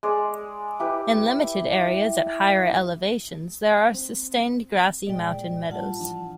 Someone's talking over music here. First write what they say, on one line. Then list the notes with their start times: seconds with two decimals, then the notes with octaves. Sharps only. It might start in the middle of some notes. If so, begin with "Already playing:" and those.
In limited areas at higher elevations there are sustained grassy mountain meadows.
0.03 G#3 G#4 D5
0.80 E4 G4 B4
3.94 C4
5.07 A#2 G#3 D5 D#5 G5
5.70 A2 G3 F4 F#5 A5
6.00 E3 F3 D4